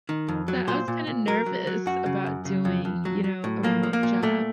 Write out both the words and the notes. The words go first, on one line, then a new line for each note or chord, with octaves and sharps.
So, I was kinda nervous about doing, you know, a remote job,
D#3
F2
F#3
A#2 C5
A#2
A#2
F#3 A#4
F#3
F#3
F#2 F#4
C#3
F#2
C#3
F2
F2
F#3
F#3
A2
F3 A#3
F3
A#3
A#2
A#2 A3